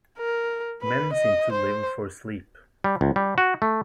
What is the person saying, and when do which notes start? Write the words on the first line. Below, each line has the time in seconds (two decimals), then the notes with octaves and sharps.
Men seem to live for sleep.
0.18 A#4
0.82 B4
1.13 D#5
1.52 C5
2.84 G3
3.01 C#2
3.16 G3
3.38 F#4
3.62 A3